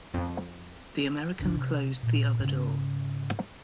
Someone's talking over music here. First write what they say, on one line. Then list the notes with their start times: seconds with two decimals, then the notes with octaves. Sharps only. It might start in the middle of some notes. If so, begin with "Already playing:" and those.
The American closed the other door.
0.14 F2
1.39 G1 C#2 A#2 D4
1.56 C3
2.03 A#2
2.39 G#2 C#3 C#4